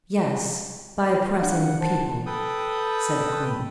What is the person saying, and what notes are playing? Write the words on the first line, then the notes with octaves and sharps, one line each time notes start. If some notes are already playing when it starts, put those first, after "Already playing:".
"Yes, by oppressing the people," said the queen.
D4 F5 F#5
C5 A5
A4 B4 G5 D#6